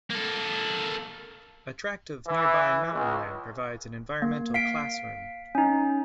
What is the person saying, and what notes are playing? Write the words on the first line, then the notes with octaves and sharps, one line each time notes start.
A tract of nearby mountain land provides an environmental "classroom".
A#3 A4
E3
C#2
A#3
F5 B6 D7
C#4 D#4